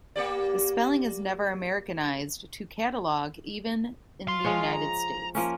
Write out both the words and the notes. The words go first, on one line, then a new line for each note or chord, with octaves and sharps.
The spelling is never Americanized to "catalog", even in the United States.
A#3 G4 D5
F5 C6
F3 G#3 C#5
A#5
F3 A#3 C#4